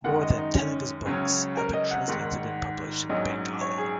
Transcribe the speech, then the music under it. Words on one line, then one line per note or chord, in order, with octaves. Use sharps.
More than ten of his books have been translated and published in Bengali.
F#2 D#3 G#3 F#5
D#5
D#4
C#4
C#2 C#3 F#3 C#4
A#4
D#5
F#5
G#1 G#2 D#3
A#1 G#2 F#3 C#4 D#5
C#5
G#4